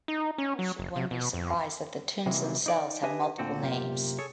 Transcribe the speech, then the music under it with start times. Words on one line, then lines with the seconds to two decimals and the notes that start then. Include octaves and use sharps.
Nor should one be surprised that the tunes themselves have multiple names.
0.08 D#4
0.38 C#4
0.59 F#3
0.79 F#1
0.96 C3
1.11 B2
1.34 F2
2.26 C3 E3 F#3 G#3 A#3
2.66 D#4 D5
3.03 D4 G4 B4 D#5 E5 G#5
3.38 D2 A#2 D3 C4 F#4
3.62 F#2 C3 A#3 F4 G4 D5
4.19 G#4 A4 C#5